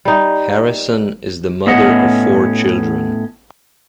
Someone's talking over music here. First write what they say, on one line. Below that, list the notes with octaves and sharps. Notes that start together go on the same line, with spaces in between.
Harrison is the mother of four children.
G3 D#4
A2 B3 C#4 D#5 F#5